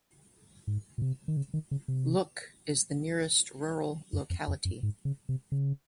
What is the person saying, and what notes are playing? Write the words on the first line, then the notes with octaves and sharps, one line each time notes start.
Luch is the nearest rural locality.
G#2
A#2
C3
D#3
C#3
D#3
C#3
C3
F#2
F2
F2
F#2
G#2
C#3
C3
C#3